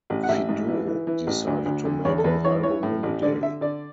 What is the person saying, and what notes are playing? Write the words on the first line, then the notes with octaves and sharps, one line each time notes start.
Phideaux decided to make an "album in a day".
A1
F#5
A1 E5
G#2
E3
E3
E3
A1
D2
D2
D3
E2 C#5
A4
E2 B4
E3 C#5
E3 C#5
A2
A1
D3 D5
D3 E5
D3 D5